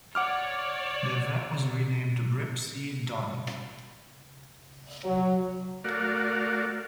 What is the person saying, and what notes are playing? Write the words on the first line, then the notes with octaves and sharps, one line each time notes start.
The event was renamed Ripspeed Donny.
C#5 D5 F#5 D6 F6
F#3
A3 F#4 A#4 D5 F5